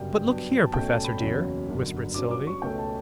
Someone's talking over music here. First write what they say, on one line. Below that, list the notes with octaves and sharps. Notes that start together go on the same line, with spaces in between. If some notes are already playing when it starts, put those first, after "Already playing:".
"But look here, Professor dear!" whispered Sylvie.
Already playing: G1 F#2 C#3 G3 G5
G2 F#3 B3
A5
B1 B2 A3 C#4 G5
A5
B5
F#1 E2 C#3 F#3 C#4
G1 F#2 D3 F#3
G2 F#3 C#4 D6
D6
C#6
C#2 B2 A3 C#4 G5
A5